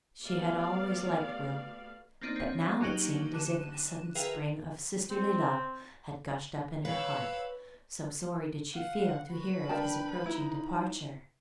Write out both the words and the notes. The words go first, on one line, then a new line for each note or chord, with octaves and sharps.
She had always liked Will; but now it seemed as if a sudden spring of sisterly love had gushed up in her heart, so sorry did she feel to hear of his approaching departure.
A3 B3 F#4 G4 D5 F5
A#3 C4 D4 D#4
C4 C#5
F#3 A#3 C#4 D#4 F#4 G4
D3 F#6 D#7 E7
F4 G#4 A#4 B4 E5 G5
C4
B4 C#5 F5 G5 B5 E6
F5 F#5
F#4 B4 B5
D4 A#4 G5 A5
D#4 E4